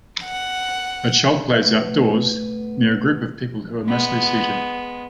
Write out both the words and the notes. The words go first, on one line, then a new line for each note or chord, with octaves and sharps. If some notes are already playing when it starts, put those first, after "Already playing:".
A child plays outdoors, near a group of people who are mostly seated.
F#5
C2 A2 B3 E5
G#3 B3